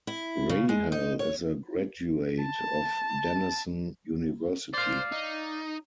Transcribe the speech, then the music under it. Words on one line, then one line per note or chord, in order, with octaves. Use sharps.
Rahal is a graduate of Denison University.
E4
C#3
G#3
D#4
C#5
A5
C5 D5 F5
D#4